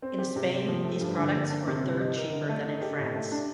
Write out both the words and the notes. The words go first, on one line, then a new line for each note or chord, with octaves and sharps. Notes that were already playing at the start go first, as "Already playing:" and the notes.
In Spain, these products are a third cheaper than in France.
C4
G4
C3
G3
F3
A3
G2
D3
A#3
D4
C3
G3
D#4
A#4
D3
A3
D#4
G4
A2
A3
D4